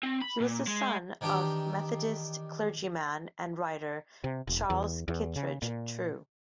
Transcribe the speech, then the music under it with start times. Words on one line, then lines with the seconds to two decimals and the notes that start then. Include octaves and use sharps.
He was the son of Methodist clergyman and writer Charles Kittredge True.
0.03 C4
0.22 B5
0.40 A#2
0.68 G#3
1.21 D#3 E3 D4 D#4 G4
4.24 C3
4.47 E1
4.70 E2
5.08 E2
5.36 C#3
5.62 A#2